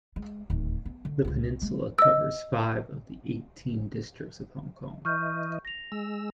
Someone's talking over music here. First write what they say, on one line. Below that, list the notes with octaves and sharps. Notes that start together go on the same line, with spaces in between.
The peninsula covers five of the eighteen districts of Hong Kong.
G#3
D1 D#2
B3
D3
C#2 F4
G#3 A#3
D#5 E6
E3 D#5 C#6 F6 G6
A#6 F7
G#3 E6